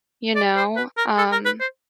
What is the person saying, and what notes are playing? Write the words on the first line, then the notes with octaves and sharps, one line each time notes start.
You know? Um
D5
C5
B4
A#4
A4
A#4
B4
C5